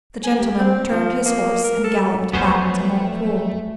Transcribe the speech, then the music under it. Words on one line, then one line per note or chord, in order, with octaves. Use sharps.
The gentleman turned his horse and galloped back to Montepoole.
G#5
G4
C4
F3
A#3
A#4
A4
F2 F#3 A3 B3 C#4 C5